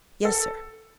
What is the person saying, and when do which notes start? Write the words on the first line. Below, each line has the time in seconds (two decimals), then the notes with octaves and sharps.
"Yes, sir."
0.25 A4